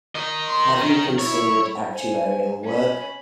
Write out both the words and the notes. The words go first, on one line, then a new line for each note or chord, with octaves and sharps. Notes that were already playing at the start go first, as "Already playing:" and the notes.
Have you considered actuarial work?
A#4 D#5
C6
D#3 C#4
E4 C#5
C5 G#5
C#4 B5